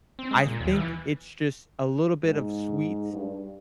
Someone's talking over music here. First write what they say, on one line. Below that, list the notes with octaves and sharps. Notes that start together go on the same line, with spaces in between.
I think it's just a little bit of sweets
C4
G#3
A#2
D#2
E3
G#2
G2